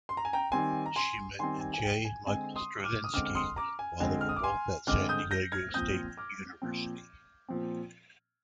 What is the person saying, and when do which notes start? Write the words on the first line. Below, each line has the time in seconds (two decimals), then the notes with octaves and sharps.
She met J. Michael Straczynski while they were both at San Diego State University.
0.09 C6
0.17 A#5
0.25 G#5
0.33 G5 A#5
0.52 D#3 G3 C4 G#5 C6
0.86 A#5
0.96 G#5 C6
1.39 D#3 G3 C4 G#5 C6
1.61 G#5
1.73 G#5
1.83 G5
2.05 G#5
2.26 D3 G#3 C4 G#5
2.56 C6 D#6
2.84 D6 F6
3.04 D#6
3.13 D3 G#3 C4 D6 F6
3.26 F6
3.35 C6 D#6
3.56 A#5 D6
3.79 G#5
4.00 D3 G#3 C4 G#5
4.21 F6
4.29 D#6
4.36 D6
4.43 G#5 C6
4.87 D3 G#3 C4 D6 F6
5.09 D#6 G6
5.31 G6 A#6
5.52 F6 G#6
5.74 A#2 F3 C4 D#6 G6
6.17 D6 F6
6.62 A#2 F3 C4
7.49 A#2 F3 C4